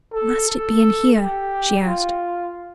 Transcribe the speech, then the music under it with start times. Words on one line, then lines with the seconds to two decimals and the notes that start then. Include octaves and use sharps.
"Must it be in here?" she asked.
0.13 A4
0.48 A4
1.18 G4
1.87 F4